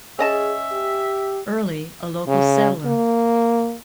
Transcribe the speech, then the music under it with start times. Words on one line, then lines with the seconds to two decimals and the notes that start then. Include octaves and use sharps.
Early, a local settler.
0.19 C#4 G#4 D#5 E5 A5
0.72 G4
2.28 C#3
2.86 A#3